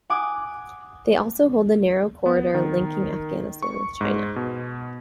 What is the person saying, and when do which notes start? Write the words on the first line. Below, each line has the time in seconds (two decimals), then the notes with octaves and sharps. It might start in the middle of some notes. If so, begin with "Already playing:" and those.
They also hold the narrow corridor linking Afghanistan with China.
0.10 F#5 G#5 D6 D#6
2.26 B3
2.55 D#3
3.63 C#6
4.01 G#2
4.36 B2